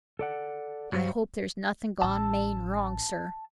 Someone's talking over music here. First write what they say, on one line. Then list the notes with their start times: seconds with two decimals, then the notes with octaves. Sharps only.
I hope there's nothing gone main wrong, sir.
0.19 A4 D5 F#5
0.92 G2 F#3 G3 C#4 C5 F5
2.02 A1 A5 E6